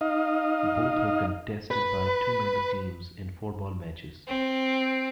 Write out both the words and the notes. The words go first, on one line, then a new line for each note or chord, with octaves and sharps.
Both are contested by two-member teams in four-ball matches.
D#4 D#5 F5
B4
C4